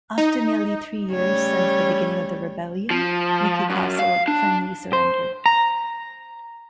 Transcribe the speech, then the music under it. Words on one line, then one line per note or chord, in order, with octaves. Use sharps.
After nearly three years since the beginning of the rebellion, Miki castle finally surrendered.
D#4
C#3 G3 A3 C#5
F3
F#2
F5
D4
C5
A#5